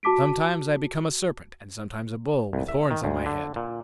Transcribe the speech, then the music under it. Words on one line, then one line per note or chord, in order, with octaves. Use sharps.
Sometimes I become a serpent, and sometimes a bull, with horns on my head.
F#4 A5 D6 B6 D7
C2
E5
D#3
D2
D3
A#2